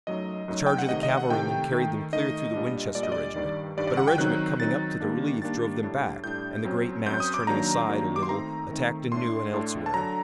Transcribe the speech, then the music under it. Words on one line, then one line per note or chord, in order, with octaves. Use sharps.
The charge of the cavalrymen carried them clear through the Winchester regiment, but a regiment coming up to the relief drove them back, and the great mass turning aside a little attacked anew and elsewhere.
F#2 F#3 A3 D#4 D#5
F#2 F#3 A3 D#4
G5
F#5
C3 D#3 A3 D#5
D#5
F#5
C3 D#3 A3 G5
D#3 A3 D#4
D#3 A3 D#4 D#5
A#2 G3 D4
A#2 G3 D4 D5
D#5
D5
G2 D#3 G3
G2 D#3 G3 D5
D5
F#5
G5
D#3 F#3 C4 D#4 F#6
D#3 F#3 C4 D#4 A6
D#3 G3 A#3 D4
D#3 G3 A#3 D4 A6
A2 G3 D4
A2 G3 D4 G6
F#2 F#3 C4
F#2 F#3 C4 G6
D#6
D6
D#3 F#3 A#3 D4 A#5
D#3 F#3 A#3 D4
D6
C6
D#3 A3 C4 D#4 A#5
D#3 A3 C4 D#4
A2 A3 D4 C6
A2 A3 D4
A5
D3 F#3 A#5